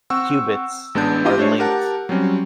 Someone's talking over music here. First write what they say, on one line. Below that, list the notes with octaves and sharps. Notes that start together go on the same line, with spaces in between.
cubits are linked
C4 F#5 C#6 E6
A1 G#3 B3 D4 A5 G6
E4 F4 G4 D#5
A3 D4 C5 C#5
G4 A#4 F#5 A5
F#3 G3 C4 C#4